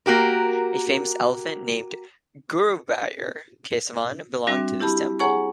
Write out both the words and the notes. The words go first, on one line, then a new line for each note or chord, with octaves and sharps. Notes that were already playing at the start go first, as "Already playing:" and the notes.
A famous elephant, named Guruvayur Kesavan, belonged to this temple.
A#3 F#4 G4 A#4
G3 C4 D4 F#4 E5
E4 G4 A5 B5
G#4 C#5 F#5 G#5 A#5 C#6